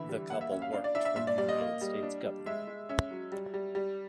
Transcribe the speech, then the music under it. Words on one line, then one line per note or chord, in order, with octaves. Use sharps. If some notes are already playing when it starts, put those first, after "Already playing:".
The couple worked for the United States Government.
Already playing: D3 E3 E5
G3
A#3 F#5
E5
C#4
F5
D4 F5
D5
D4 E5
E5
A#2 E5
D5
G3 D5
D#5
A#3
G3
D4
G3
G#3 E5
G#3
C#4 E5
F#3
G3
G3
G3